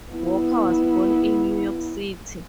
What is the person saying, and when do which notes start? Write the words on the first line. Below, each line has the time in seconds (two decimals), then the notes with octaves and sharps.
Walker was born in New York City.
0.12 B3 E4